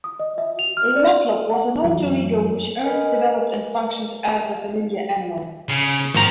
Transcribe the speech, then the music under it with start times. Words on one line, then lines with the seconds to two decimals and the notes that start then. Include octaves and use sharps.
Loplop was an alter ego which Ernst developed and functioned as a familiar animal.
0.04 D#6
0.20 D#5
0.38 E5
0.59 F7
0.77 F6
0.96 D5
1.31 A4
1.53 F#5
1.85 F#2 E3 F#3
2.83 A#4 B4 D#5 F#5 G#5
5.69 C#3
6.14 G#1 F3 A#5